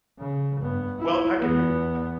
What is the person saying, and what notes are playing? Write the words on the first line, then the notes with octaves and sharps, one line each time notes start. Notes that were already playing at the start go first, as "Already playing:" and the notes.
Well, I can re uh
C#3
G2 B3
E4
E2 B3